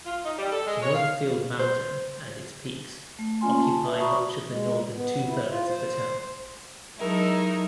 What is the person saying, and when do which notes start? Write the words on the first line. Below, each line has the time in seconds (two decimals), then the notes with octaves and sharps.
Northfield Mountain and its peaks occupy much of the northern two-thirds of the town.
0.05 F4
0.25 D#4
0.38 G3
0.51 A4
0.66 G#3
0.81 C#5
0.94 F5
1.59 C5
3.19 A3
3.41 A#3 C#4 F4 G#5 C6
3.62 A5
3.85 B4 E5
3.99 F#4 D5 A#5 B5 C#6 D#6
4.48 G#3
4.93 B3
5.27 E4
5.49 F4
5.67 C5
6.99 F#3 G#3 D#4 E4 A4 A#4